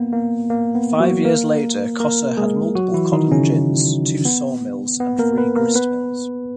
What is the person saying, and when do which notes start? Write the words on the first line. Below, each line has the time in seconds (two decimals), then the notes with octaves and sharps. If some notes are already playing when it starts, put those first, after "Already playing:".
Five years later, Kosse had multiple cotton gins, two sawmills, and three gristmills.
Already playing: A#3 B3
0.13 A#3
0.50 A#3
0.75 B3
1.00 F#3 F#4
1.25 A#3 A#4
2.00 A#3 A#4
2.37 G#3 G#4
2.75 F#3 F#4
2.94 E3 E4
3.13 D#3 D#4
3.32 C#3 C#4
4.25 B3
5.00 B3
5.19 A#3 A#4
5.38 B3 B4
5.56 A#3 A#4
5.75 B3 B4